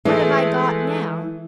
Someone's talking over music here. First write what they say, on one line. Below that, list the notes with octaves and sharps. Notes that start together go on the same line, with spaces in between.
What have I got now?
E3 G#3 A3